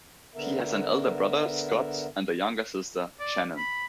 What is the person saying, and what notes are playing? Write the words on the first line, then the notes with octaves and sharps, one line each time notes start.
He has an elder brother, Scott, and a younger sister, Shannon.
D3 B3 A#4 E5
D5
B5